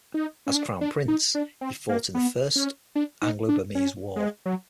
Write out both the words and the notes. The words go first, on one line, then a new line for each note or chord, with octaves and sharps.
As crown prince, he fought in the First Anglo-Burmese War.
D#4
C#4
D4
D4
D#4
D4
C4
A#3
B3
C#4
D4
D#4
D4
C#4
G#3
F#3